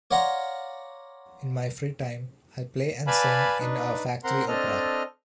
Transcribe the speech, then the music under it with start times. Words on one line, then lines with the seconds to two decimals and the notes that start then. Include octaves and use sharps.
In my free time, I play and sing in our factory opera.
0.11 C#5 D5 F5 F#5 A#5 C6
3.07 B4 D5 F5 G#5 A5 B5
3.60 D4 D#4 B4
4.24 C4 A#4 F#5 A#5 C6
4.48 C4 D4 A4 D#5 F6